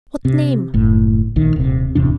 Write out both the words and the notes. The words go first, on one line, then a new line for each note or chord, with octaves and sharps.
"What name?"
C3
F#1 A2
A#1 D#3
D#1 C3
D1 E2 C3 D4